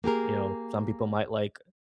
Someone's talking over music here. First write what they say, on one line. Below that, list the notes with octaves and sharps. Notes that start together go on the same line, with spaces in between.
you know, some people might like
A#3 G4 G#4 A#4